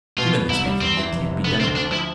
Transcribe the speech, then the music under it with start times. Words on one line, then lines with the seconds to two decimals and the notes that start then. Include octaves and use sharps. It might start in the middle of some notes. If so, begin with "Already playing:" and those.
Humanly speaking, it can't be done.
0.17 B2 F4
0.34 B3
0.50 C2 E4
0.66 G3
0.81 E2 C4
0.97 E3
1.13 F1
1.29 C3
1.45 D3 B3
1.60 D2 C4
1.76 D2 D4
1.91 F3 E4